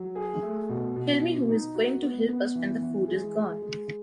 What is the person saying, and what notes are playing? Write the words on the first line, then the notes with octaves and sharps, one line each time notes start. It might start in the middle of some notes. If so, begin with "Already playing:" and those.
Tell me who is going to help us when the food is gone.
Already playing: F#3
G#4
A3
B2
B2
B2
D#4
F#4
B3
B3
E3
E3
G#3
G#3
G#3